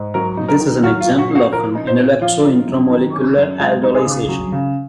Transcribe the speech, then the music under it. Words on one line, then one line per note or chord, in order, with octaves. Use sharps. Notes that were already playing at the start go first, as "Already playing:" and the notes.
This is an example of an enolexo intramolecular aldolization.
Already playing: G#2
F#3 A#4
D#4
A#4
D#3
F#3 F#4
F4
A#2
F#4
A#2
F#4
F3 A#4
D#4
C5
A#2
F3 F4
D#4
F#2
D#3
C#4
F#2
G#3 F4
D#4
G#4
C#3
F#3
C#3